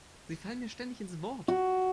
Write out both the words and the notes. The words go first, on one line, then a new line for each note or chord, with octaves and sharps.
Sie fallen mir ständig ins Wort.
F#4